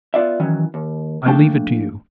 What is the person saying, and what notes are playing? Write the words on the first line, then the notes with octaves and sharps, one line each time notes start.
I leave it to you.
B3 F4 D5 E5
D#3 E3 F#3 C#4
D#2
F3 A3 A#3 D4 G5 A5